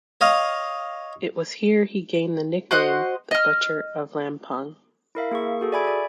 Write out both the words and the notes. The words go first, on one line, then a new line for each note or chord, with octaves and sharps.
It was here he gained the nickname "The Butcher of Lampung".
C#5 D#5 F5
F#4 C5 D#5 F#6
D#5 F6
E4 A#4 E5 F5
A#3 G#4 A#4 C#6
F#4 G#4 A4
D5 E5 G#5 B5 G#6 D7
D5